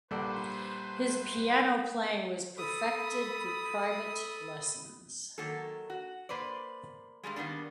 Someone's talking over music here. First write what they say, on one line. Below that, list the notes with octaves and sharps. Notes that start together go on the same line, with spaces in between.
His piano playing was perfected through private lessons.
A#1 G3 A4 B4 C5 D5 F#5
A4 B5 D#6
D#3 F#3 A#3 A4
F#4
A#3 B4 C5 D5
G2 C#3 G3 G#3
D#3 G3 A#3 B3 D4